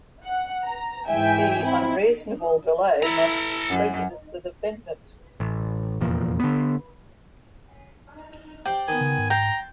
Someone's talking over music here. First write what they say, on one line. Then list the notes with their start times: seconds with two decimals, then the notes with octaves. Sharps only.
The unreasonable delay must prejudice the defendant.
0.25 F#5
0.65 A#5
1.07 G#2 E3 G#3 E5 G5 G#5
1.63 C4 E4
3.03 E4 A4 A#5
3.69 F#2 F#3
5.40 A1
6.01 F1 E2 A#2 F3
6.40 D3 B3
8.65 G4 C5 D5 G5
8.88 D#3 B3 G#5
9.01 C#3
9.18 G#2
9.30 G5 A5 A#5 C6